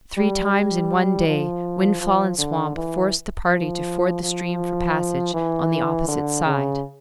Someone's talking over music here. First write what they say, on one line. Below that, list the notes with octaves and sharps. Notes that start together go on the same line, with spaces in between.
Three times in one day windfall and swamp forced the party to ford the stream for passage on the opposite side.
G3
G3
F3
F3
D3
E3
F3
F3
E3
D3
C#3